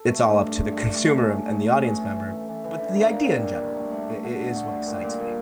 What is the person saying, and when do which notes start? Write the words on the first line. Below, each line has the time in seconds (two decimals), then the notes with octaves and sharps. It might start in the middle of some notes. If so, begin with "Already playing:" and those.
it's all up to the consumer and and the audience member, but the idea in general i i is what excites me.
Already playing: A4
0.08 A3
0.24 G2
0.40 G2
0.56 G2
0.72 G2
0.88 A3
1.04 C#4
1.20 A2
1.36 A3
1.52 C#4
1.68 C#4
1.84 E3
2.00 A4
2.16 E3
2.32 A4
2.48 E3
2.64 E3
2.79 D4
2.96 A#3
3.12 G3
3.28 G3
3.43 D4
3.60 G3
3.76 A3
3.91 A3
4.08 A3
4.24 D3
4.40 D3
4.56 A3
4.72 G3
4.87 A#2
5.04 A#2
5.19 A#2